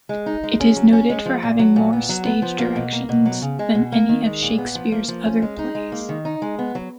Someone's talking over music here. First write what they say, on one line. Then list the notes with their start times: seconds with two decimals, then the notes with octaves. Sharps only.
It is noted for having more stage directions than any of Shakespeare's other plays.
0.09 G#3
0.26 D#4
0.43 G#3
0.60 C#4
0.76 F#3
0.93 C#4
1.10 G#3
1.26 F3
1.43 A#2
1.59 F#3
1.76 A#2
1.93 B3
2.09 F#3
2.25 B3
2.42 F3
2.59 A#3
2.76 B2
2.92 A#3
3.09 B2
3.25 F#3
3.42 C#3
3.59 G#3
3.75 B2
3.92 A#3
4.09 D#3
4.26 G#3
4.42 A#2
4.58 B3
4.75 F3
4.92 A#3
5.08 F3
5.25 C#4
5.42 G#3
5.59 D#4
5.75 G#3
5.92 A#3
6.09 D#3
6.25 D#4
6.42 G#3
6.59 B3
6.75 F#3